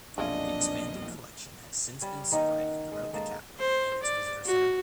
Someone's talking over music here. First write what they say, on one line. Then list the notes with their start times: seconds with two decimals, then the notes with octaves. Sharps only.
The expanding collection has since been spread throughout the Capitol and its Visitor Center.
0.18 B1 F2 A#2 G#3 D4 E4 F4 D#5
2.01 G3 C#4
2.32 D#3 A#3 C#4 D#4
2.59 F#5
2.92 G#3
3.13 G#3 A#3 A4
3.59 C5
4.03 D5
4.46 F#4